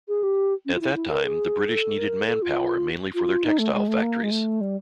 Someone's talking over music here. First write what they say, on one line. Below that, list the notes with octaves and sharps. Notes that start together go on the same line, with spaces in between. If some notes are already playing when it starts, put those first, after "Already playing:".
At that time, the British needed man-power mainly for their textile factories.
G#4
G4
C#4
F4
E4
E4
A#4
G#4
A4
A#4
A4
F4
F4
D#4
A3
G#3
A3
A#3
G#3
A3
G3